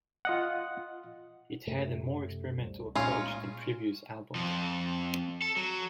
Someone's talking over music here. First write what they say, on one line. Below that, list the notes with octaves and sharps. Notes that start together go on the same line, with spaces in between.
It had a more experimental approach than previous albums.
F4 D#5 F#5
F#2 C3 A3
C2
A#2 G#3 C#4 D#4 F4
F2 F3
A4
F#3